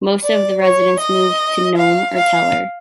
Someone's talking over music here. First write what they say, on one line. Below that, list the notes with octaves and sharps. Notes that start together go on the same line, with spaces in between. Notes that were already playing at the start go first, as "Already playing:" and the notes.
Most of the residents moved to Nome or Teller.
D5
C#5
D#5
F5
F5